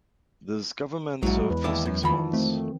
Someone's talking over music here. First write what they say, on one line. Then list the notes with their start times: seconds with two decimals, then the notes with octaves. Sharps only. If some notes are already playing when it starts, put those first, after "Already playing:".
This government served for six months.
1.23 A#1 G#2 F#3 G#3 E4
1.50 E2 B4
1.64 D#2 E4 D5
1.86 F#2
2.03 F2 D#3 E3 B5
2.33 A3 C4